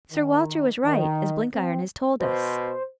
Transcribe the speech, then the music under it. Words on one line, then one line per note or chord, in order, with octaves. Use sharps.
'Sir Walter was right, as Blenkiron has told us.
D#3
D#3
C4
B2 C5